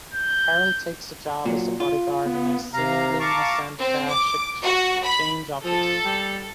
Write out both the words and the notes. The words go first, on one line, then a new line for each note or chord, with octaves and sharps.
Karol takes a job as a bodyguard in a seemingly innocent cash exchange office.
G6
A#2 F#3
F4
B3
C3 F5 A#5
F5 A5 A#5 C#6 D6
C4
D6
F#4
B5
F3 A4
G3